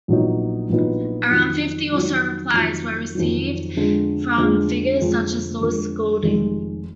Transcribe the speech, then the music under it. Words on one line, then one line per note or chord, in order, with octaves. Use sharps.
Around fifty or so replies were received from figures such as Louis Golding.
A#1 A#2 F#3 B3 D#4
A#1 A#2 F#3 B3 D#4
F2 D#3 F#3
F2 D#3 F#3
F2 D#3 F#3
F2 D#3 F#3
F2 D3 G#3
F2 D3 G#3
F2 D3 G#3
F2 D3 G#3
F1 F2 D#3 G#3